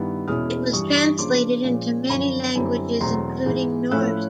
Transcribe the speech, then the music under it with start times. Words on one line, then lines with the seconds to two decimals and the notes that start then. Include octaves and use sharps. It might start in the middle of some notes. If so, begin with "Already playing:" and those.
It was translated into many languages, including Norse.
Already playing: G2 D#3 G3 B3 E4
0.28 E2 B2 G#3 C#4 E4 D#6 F6
0.73 G2 E3 G3 C#6 D#6
0.96 C#6 D#6
1.19 C#3 F3 A#3 D4 C6 D6
1.64 A#2 F3 G#3 C#4
2.09 F#2 D3 F3 B5 C#6
2.55 F#2 D3 G3 C4 E4
3.01 E2 B2 F#3 A3 C4 A#5 C6
3.46 G#2 E3 G#3
3.91 A2 F3 A3 C#4 E4 E6 F#6